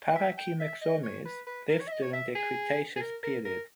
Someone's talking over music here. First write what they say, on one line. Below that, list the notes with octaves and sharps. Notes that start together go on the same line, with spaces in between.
"Paracimexomys" lived during the Cretaceous period.
D#5
E5
G5
E5
D#5
C#5
B4
B4
A#4
C#5
E5
D#5
C#5
E5
G#4
G#4
A#4
A#4
A#4